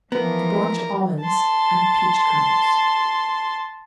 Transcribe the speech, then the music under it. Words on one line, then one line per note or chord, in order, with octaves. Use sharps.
To Blanch Almonds and Peach Kernels.
E3 F3 B3 A#4
A5 C6